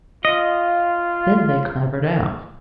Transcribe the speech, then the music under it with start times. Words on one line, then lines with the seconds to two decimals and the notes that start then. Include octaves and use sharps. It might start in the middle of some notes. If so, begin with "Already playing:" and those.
Then they clambered out.
0.25 F4 D#5